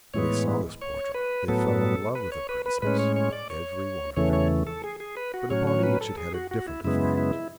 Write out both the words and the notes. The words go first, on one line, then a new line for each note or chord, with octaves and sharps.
When they saw this portrait they fell in love with the Princess--every one of them, but upon each it had a different effect.
A2 E3 G#3 B3 C#5
C#5
B4
A2 F#3 B3 A4
B4
C#5
B4
B4
A2 G#3 C#4 B4
C#5
C#5
D5
C#5
E2 C#3 E3 A3 C#5
C#5
A4
G#4
G#4
B4
F#4
A2 F#3 C#4 C#5
C#5
B4
A4
G#4
F#4
F#4
E4
F#2 C#3 G#3 B3 E4
E4